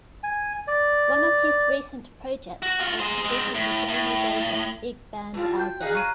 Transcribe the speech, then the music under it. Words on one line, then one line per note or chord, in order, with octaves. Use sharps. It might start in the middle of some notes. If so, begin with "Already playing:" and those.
One of his recent projects was producing the Jamie Davis big band album.
G#5
D5
F#4
F4 F#4
G#4 C5
G#3 C4
A2
A2
E3 G3 F4 A5
F#4 G5 G6
D4 D#4 G#4 F5 F#6
F#3 A#5 D#7